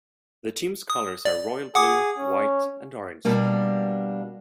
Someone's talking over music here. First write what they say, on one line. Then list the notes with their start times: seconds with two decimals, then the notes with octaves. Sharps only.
The team's colors are royal blue, white and orange.
0.90 D#6
1.25 D5
1.75 G#4 F#5 D6 D#6
2.18 C#4
3.25 B2 G3 A#3 D4